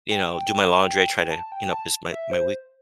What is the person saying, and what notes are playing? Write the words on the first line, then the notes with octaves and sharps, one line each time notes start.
you know, do my laundry, I try to, you know, 'cause my my week
G5
A5
G5
A5
E5
C5